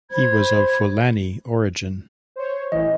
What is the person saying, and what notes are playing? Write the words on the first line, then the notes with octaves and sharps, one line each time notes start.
He was of Fulani origin.
C5 B5 G#6
C5 C#5
A1 E3 D#5